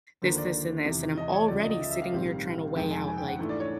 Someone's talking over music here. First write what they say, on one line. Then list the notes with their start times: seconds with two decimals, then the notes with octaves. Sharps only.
this, this and this, and I'm already sitting here trying to weigh out, like,
0.22 D#2 D3 F3 A#3 C5
0.38 D5
0.85 E2 C3 E3
1.17 D#5
1.33 C#5
1.48 C#2 C#3 F3 D5
1.59 D#5
1.70 D#5
1.81 E5
1.91 E5
2.02 F5
2.12 A#1 G#2 D#3 G3 C4
2.76 F2 C3 D#3 G#3 G5
2.91 G#5
3.08 G#5
3.17 G5
3.28 F#5
3.39 G#2 E3 A3 D4
3.49 D5
3.60 C#5